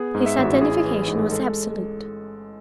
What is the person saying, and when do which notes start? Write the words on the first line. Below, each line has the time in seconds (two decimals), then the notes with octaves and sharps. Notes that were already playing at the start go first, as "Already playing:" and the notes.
His identification was absolute.
Already playing: B3 G#4
0.15 G#2
0.26 E5
0.38 A1
0.44 F#4
0.61 E4 G#4
0.85 E3
1.08 G#2
1.31 G#3 A4